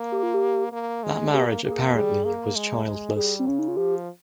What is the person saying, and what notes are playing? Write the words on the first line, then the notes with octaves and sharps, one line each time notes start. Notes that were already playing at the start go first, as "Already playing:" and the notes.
That marriage apparently was childless.
Already playing: A#3
G4
F4
G4
A#3
G#3
A#3 G4
A#3 G4
G#4
G4
G3 G#4
A#3
G#3
G#3
G3 G#4
C4
C#3 C#4
D#4
F4
F3 G4